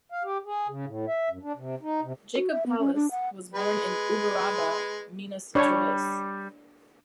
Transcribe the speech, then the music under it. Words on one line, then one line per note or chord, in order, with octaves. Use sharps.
Jacob Palis was born in Uberaba, Minas Gerais.
F5
G4
G#4
C#3
A2
E5
F#2
D4
C3
D#4
C3
F#4
E5
B3
C#4
D4
F#5
G#3 B4
G3 D4 C#5